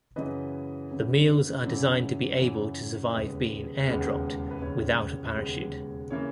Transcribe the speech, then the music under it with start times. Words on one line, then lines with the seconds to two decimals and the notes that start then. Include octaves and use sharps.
The meals are designed to be able to survive being air-dropped, without a parachute.
0.16 F#2 C#3 E3 B4 D#5
0.90 F#2 C#3 E3
1.64 F#2 C#3 E3
2.39 F#2 C#3 E3
3.13 E1 D#2 C#3 G#3 B3 B4 D#5
3.87 E1 D#2 C#3 G#3 B3
4.51 B4
4.61 E1 D#2 C#3 G#3 B3 C#5
5.35 E1 D#2 C#3 G#3 B3
6.11 C#3 E3 A#3 C#5